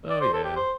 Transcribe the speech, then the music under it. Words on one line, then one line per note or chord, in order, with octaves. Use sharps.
Oh, yeah.
D5
C5
A4
G4
C5